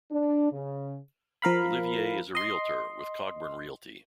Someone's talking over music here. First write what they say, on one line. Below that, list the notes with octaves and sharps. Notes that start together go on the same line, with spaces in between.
Olivier is a Realtor with Cogburn Realty.
D4
C#3
F3 A#4 F5 B5
D#5 C6